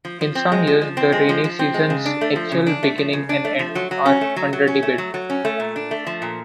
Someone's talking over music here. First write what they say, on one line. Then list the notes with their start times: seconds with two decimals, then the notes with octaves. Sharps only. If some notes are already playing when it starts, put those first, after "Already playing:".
In some years, the rainy season's actual beginning and end are under debate.
0.05 F3
0.21 F3
0.35 C4
0.52 G#3
0.67 F3
0.81 F3
0.97 C4
1.12 G#3
1.29 F3
1.44 F3
1.59 C4
1.74 G#3
1.90 C#3
2.06 D4
2.21 A3
2.36 F3
2.52 C#3
2.67 D4
2.83 A3
2.98 F3
3.13 C#3
3.29 D4
3.45 A3
3.59 F3
3.75 F#3
3.91 F#3
4.06 C#4
4.21 A3
4.36 F#3
4.53 F#3
4.67 C#4
4.83 A3
4.98 F#3
5.14 F#3
5.30 C#4
5.45 A3
5.60 A#2
5.76 D4
5.91 A3
6.07 F3
6.22 A#2